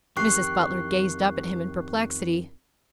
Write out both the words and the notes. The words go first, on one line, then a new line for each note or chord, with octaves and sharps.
Mrs. Butler gazed up at him in perplexity.
F2 D#3 G4 C#6 F#6 C7